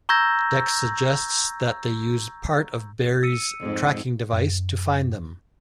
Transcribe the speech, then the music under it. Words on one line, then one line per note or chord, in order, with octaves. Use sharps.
Dex suggests that they use part of Beary's tracking device to find them.
A#5 C#6 E6 G6 G#6 A#6
E6 C#7 D#7
F2 G#2
F#2